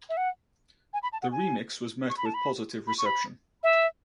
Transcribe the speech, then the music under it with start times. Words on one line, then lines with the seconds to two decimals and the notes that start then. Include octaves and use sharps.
The remix was met with positive reception.
0.09 E5
0.17 F#5
0.93 G#5
1.03 B5
1.13 A5
1.22 F#5
1.32 G#5
2.10 C#6
2.17 B5
2.26 A5
2.34 B5
2.87 B5
2.98 C#6
3.06 B5
3.63 E5